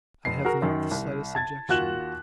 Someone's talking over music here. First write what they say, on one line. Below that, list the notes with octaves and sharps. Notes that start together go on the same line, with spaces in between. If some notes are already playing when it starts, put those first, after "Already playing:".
I have not the slightest objection.
F1 C7
F#4 G#4 A#4
F#2 D#3
C2
A5 G#6 A6
D#2 F4 F#4 F#6 E7 F#7